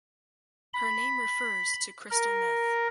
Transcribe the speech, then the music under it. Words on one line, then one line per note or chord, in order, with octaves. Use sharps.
Her name refers to crystal meth.
B5
A#4